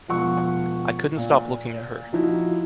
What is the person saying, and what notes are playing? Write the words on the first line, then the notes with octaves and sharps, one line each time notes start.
I couldn’t stop looking at her.
E1 F3 F#5 C#6
A#2
F3 D#4 E4 F#4